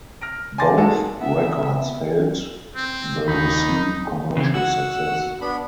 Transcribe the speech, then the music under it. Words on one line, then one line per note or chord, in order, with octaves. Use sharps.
Both records failed the receive commercial success.
F6 A#6 D7
G#5 A5 C6 D6 A6 A#6
G#3 A#3 F#4 G#4 A4
B3 E5
C4
D#2 D#4 B5
C#3 E3 C4
F#4 F#5 E6
B3 D4 B5